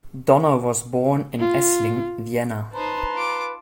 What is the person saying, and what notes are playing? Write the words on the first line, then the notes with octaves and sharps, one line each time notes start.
Donner was born in Essling, Vienna.
F4
D#4 B4 C5 A5 A#5 C6
F4 D6